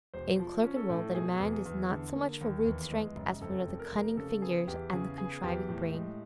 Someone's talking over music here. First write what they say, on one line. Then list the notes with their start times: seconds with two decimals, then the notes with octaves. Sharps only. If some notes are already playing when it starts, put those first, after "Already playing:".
In Clerkenwell the demand is not so much for rude strength as for the cunning fingers and the contriving brain.
0.13 E1 C5
0.39 F3
0.64 C#4
0.76 A4
0.90 A2
1.15 B2 G#4
1.40 E2
1.52 G#4
1.65 E2
1.90 D3
2.15 A#3
2.41 D#2
2.66 E2
2.91 G#3
3.16 F#1
3.41 F2 A4
3.67 F1
3.80 A#4
3.92 F1
4.17 C#3 A4
4.42 B3 G#4
4.67 E2 G4
4.93 C#3 G#4
5.18 B3 G#4
5.43 E2 G4
5.69 A2
5.94 G#3